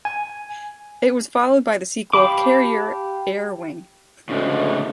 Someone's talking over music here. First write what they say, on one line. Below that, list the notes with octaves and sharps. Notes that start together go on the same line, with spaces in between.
It was followed by the sequel "Carrier Air Wing".
G#5
G4 F5 A5 B5 D6
D2 A2 C#3 G#3